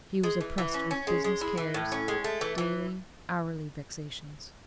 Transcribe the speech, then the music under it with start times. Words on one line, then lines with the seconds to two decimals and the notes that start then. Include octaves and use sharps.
He was oppressed with business cares; daily, hourly vexations.
0.24 G#3
0.41 E3
0.58 E3
0.74 C#4
0.91 C#4
1.07 G#3
1.24 G#3
1.41 E4
1.57 E3
1.74 A2
1.92 C#4
2.08 G#3
2.24 A3
2.41 E3
2.58 E3